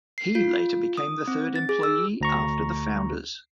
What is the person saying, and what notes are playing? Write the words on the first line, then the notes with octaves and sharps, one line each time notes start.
He later became the third employee after the founders.
C7
F4
D#6
C4
A6
G#4
E6
D2 A#5 C#6